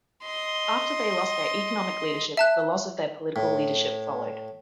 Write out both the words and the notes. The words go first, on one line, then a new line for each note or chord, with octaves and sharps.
After they lost their economic leadership, the loss of their political leadership followed.
D#5 C6
E5 A5 F#6
A2